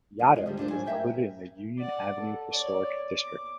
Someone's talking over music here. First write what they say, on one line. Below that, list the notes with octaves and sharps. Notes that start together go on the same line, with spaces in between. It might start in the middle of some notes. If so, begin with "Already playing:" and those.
Yaddo is included in the Union Avenue Historic District.
F3 G#3 F4
E2 F3 G#3
D2 D3 G3
D4 F4 A#4 C5
F#3 G#5
A#4 D5 E5 G5 G#5
D5 F#5
A4
C#5 D5
D6